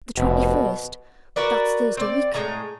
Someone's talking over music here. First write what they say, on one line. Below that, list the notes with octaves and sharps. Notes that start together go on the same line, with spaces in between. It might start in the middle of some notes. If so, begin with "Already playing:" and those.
'The twenty-first--that's Thursday week.
F1 B2
F#4 A#4 B4 D5
C4 D5
A2 G#3 A#5